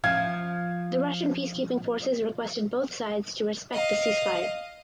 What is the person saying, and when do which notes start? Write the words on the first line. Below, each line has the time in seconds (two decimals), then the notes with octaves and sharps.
The Russian peacekeeping forces requested both sides to respect the ceasefire.
0.04 F3 F5 G#6
3.73 D#5 F5